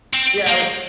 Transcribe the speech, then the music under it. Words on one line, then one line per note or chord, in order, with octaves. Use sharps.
Yeah, we
C4
A#3